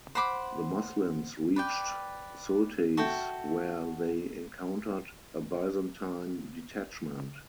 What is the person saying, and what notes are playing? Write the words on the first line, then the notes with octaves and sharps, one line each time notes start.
The Muslims reached Sulteis where they encountered a Byzantine detachment.
C5 F#5 B5 D6
B4 D5 G5
F#4 A4 E5 G5